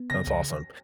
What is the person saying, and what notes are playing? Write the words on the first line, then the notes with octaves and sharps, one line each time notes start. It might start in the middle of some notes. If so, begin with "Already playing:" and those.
That's awesome.
Already playing: B3
C#3 A#6
C#2
C#3